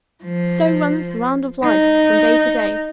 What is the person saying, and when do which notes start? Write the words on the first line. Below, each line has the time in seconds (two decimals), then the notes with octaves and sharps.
So runs the round of life from day to day.
0.24 F3
1.64 D#4